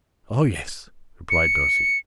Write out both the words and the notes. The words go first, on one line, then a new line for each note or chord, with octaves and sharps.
"Oh, yes," replied Darcy.
C#7